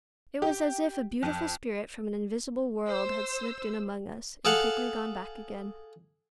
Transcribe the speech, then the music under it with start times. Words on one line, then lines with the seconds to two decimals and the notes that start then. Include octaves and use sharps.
It was as if a beautiful spirit from an invisible world had slipped in among us, and quickly gone back again.
0.42 G4
1.23 F2
2.87 C5 E6
4.45 G#4 A4 F5 F#5